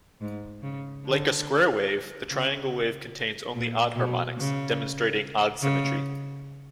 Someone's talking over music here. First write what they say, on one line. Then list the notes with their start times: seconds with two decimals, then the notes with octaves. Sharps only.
Like a square wave, the triangle wave contains only odd harmonics, demonstrating odd symmetry.
0.21 G#2
0.62 C#3
1.04 D3
2.29 C#3
3.55 A#2
3.96 B2
4.37 C#3
5.62 C#3